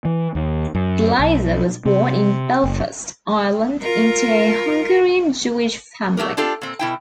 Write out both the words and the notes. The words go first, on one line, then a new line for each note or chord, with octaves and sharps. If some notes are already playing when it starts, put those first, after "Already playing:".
Glazer was born in Belfast, Ireland, into a Hungarian Jewish family.
E3
D#2
F#2
B1
C3
F#1
F4 A#4
F#3 A3 G4 A#4
D4 F4 G4 A4
A#2 C4
B2 E4 G5